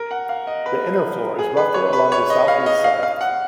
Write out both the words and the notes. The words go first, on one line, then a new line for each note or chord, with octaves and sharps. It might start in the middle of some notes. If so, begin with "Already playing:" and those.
The inner floor is rougher along the southeast side.
Already playing: A#4
F#5
F5
D#5
B4
G#4
B4
C#5
B4
C#5
D#5
F5
D#5
F5
F5
F#5